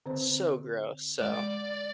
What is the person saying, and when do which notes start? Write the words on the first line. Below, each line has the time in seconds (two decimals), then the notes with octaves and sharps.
So gross, so
0.06 D3 C4 C5
1.21 G#3 D5